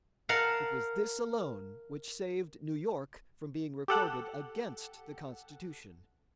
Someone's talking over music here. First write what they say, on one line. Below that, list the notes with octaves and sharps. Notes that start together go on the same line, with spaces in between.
It was this alone which saved New York from being recorded against the Constitution.
A#4 F5 F#5 A5
G4 A4 F#5